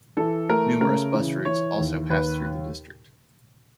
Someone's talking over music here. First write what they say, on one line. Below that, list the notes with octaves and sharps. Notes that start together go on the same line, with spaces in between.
Numerous bus routes also pass through the district.
E3 A4
A3 A#4
C#3 A#4
E3
E3 C#5
D#2
D#2 B4